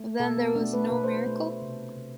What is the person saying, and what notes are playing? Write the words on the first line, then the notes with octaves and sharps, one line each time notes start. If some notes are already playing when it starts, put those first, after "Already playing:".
Then there was no miracle?
Already playing: A3
B2 A4
B3
A3 D4
B4
B2 B4
C5
B4
A3
C3
C3